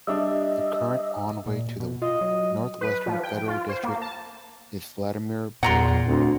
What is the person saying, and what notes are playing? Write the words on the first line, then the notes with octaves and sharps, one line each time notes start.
The current Envoy to the Northwestern Federal District is Vladimir Bulavin.
G3 D4 D#5 E5
A#2
B2
F4 D#5
F#3
B4
F3
G5
F4
C5
A#3
A5
E2 A#2 F#5 A#5 C6
D2 C4